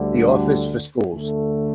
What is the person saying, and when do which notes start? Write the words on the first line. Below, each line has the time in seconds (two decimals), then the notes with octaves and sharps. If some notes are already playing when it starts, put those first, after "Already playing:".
The Office for Schools.
Already playing: D2 D3 G3
1.13 D2 D3 A3